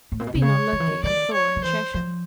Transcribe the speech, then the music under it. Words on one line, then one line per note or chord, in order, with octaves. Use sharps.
"I've been on Loki and Thor and Shesha."
A2
A#2
B2
C3
C#3 C#5
D#3
E3
D#3
D#3 D5
C#5
F3
E3 C5
F3